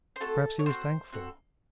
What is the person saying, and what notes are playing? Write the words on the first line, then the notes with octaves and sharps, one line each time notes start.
Perhaps he was thankful.
C5
A3 C4 F#4 A4
C#5
A3 C4 F#4 C5
C4 F#4 A4